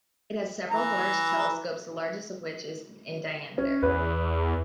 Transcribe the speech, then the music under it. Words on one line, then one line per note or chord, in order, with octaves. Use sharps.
It has several large telescopes, the largest of which is in diameter.
E3 A#5
C#4
E2 B4